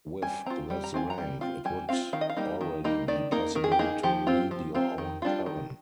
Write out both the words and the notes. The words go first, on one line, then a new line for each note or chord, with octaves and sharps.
With this rank, it would already be possible to lead your own coven.
G3 G#5
C4 F4 A#5
G3
A#5
C4 F4 G#5
A#5
G3
C4 F4
G3 G#5
C4 F4 F5
D#3 F5
D#5
F5
G3 A#3 D#4
D#3
G3 A#3 D#4
D#3 D5
A#3 D#4 A#4
D#3 A#4
G#4
G4
A#3 D#4 G#4
F3 G4
C4 F4
F3
C4 F4
D#3
G3 D4 F4
D#3